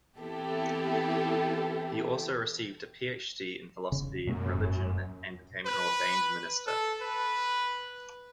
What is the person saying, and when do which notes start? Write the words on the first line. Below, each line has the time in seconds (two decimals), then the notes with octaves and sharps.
He also received a Ph.D. in philosophy in religion and became an ordained minister.
0.19 E3 B3 C4 E4 G4 A4
3.92 E1 C#3
4.27 F#2 B2 G#3 A#3
4.54 E1 G#2
5.65 B4
6.67 A4
7.01 B4